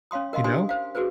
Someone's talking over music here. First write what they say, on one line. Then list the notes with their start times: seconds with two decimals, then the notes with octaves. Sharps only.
You know?
0.11 C#4 C#5 F5 C6 D#6
0.33 A#4 D#5 F5 C6
0.44 D4 G4 C5 G#5 C6 D#6
0.69 C5 F5
0.95 F#4 G#4 A4 B4 C5